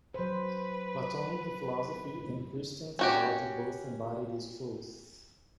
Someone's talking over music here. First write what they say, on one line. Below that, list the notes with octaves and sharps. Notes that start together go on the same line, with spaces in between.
Platonic Philosophy and Christian theology both embody this truth.
F#3 B4 C5
C#4 F#4 G4